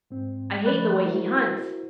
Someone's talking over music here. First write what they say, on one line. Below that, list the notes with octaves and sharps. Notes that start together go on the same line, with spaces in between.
I hate the way he hunts!
G#2 C4
F3 A3 D5 B5 F#6 A6
E4 F#4 A#4 C5